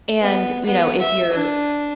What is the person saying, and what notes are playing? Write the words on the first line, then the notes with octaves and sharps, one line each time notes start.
And, you know, if you're
B3
B3
E5
D4